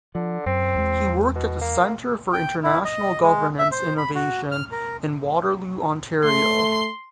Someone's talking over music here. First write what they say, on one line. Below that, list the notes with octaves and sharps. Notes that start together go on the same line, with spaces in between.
He worked at the Centre for International Governance Innovation in Waterloo, Ontario.
D3 F3
F#2 C4
E2 G#3
B2
A#3
G5
E4
D#5
G#3
E5
C5
B5
F#4
F6
A#4
A3 C6